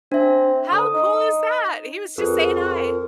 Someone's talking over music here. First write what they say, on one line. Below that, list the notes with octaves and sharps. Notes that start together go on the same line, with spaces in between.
How cool is that? He was just saying "Hi!" and
C4 D4 E5
D3 D#6
D#4
F2 G#4 A#4 B4
F4 A#4